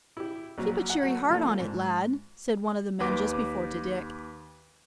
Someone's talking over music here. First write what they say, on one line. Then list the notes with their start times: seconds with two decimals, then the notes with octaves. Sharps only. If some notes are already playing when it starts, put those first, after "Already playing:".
"Keep a cheery heart on it, lad," said one of the men just before to Dick.
0.17 E4 G4
0.58 A#1 F#3
0.90 F#5
1.03 F#3 A3
1.30 F3 A#3 D4 F4 A4
1.60 G#2
3.00 D#2 B4 D6